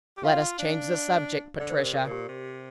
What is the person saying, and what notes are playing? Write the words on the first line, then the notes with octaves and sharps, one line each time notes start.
"Let us change the subject, Patricia."
G4
F4 F5
D4
D3 D5
C5
A#4
C3
A#4
A#2
G4
C3